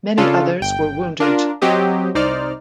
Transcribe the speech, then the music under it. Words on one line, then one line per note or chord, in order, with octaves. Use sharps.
Many others were wounded.
C#3 D4 F4 A4
G1 G5
D4 F4 A#4
F#3 C4 G4 D#5
C2 D#4 C5 D5 F6